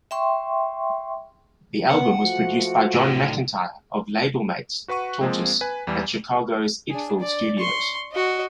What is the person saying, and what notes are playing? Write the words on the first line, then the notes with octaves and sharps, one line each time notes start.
The album was produced by John McEntire of labelmates Tortoise at Chicago's Idful Studios.
E5 G5 C6 C#6
B3 F#5
F3 A3 F#4
A2 D3
F#4 B4 F#5 C#6 D#7
F3 G#3 A#3 C4
B4 G#5
E2 E3 G3
D4 G#4
D5
C6 C#6
F#4 D#5